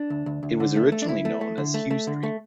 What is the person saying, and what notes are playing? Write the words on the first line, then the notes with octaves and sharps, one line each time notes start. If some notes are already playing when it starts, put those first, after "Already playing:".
It was originally known as Hugh Street.
Already playing: D4
D2
D2
D2
D3
A3
A3
D4
D2 E4
A3
A3
D3
A3
A3
D3
A3